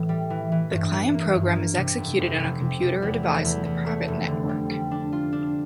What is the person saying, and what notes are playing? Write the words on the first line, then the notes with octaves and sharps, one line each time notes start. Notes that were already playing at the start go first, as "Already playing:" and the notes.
The client program is executed on a computer or device in the private network.
Already playing: A2 E3
G3
E3
E3
G2
E3
A#3
G2
A#3
C3
F1
F1
F1
C3
C3
E2
A3
E2
E2
A3
F1
D3
G3
G3
D4
F4
D4